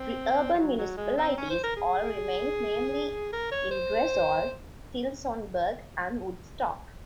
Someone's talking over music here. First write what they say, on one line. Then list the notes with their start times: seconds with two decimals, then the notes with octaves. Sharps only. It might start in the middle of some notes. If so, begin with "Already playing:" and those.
Three urban municipalities also remained, namely Ingersoll, Tillsonburg and Woodstock.
Already playing: C4
0.53 F3
0.58 F#3
0.78 F#3
0.97 G#3
1.17 C4
1.37 C#4
1.50 C5
1.63 A#4
1.76 G#4
3.33 A#4
3.51 C#5
3.71 C5